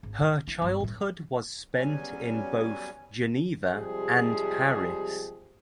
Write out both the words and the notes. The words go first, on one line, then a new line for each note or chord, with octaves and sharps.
Her childhood was spent in both Geneva and Paris.
G#1
G#3
E4
G1
A2 G3
E2 F#3 G3 C#4 G#5
C3 F3 G3 G#3 G4 G#4